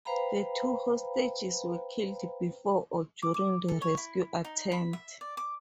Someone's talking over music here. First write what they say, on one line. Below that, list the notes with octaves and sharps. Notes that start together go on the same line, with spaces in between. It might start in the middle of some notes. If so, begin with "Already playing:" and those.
The two hostages were killed before or during the rescue attempt.
B4 C5 F5 G5 A#5 B5
D6
D6
A4
C#5
E4
D#4
B5
E5
D5
D6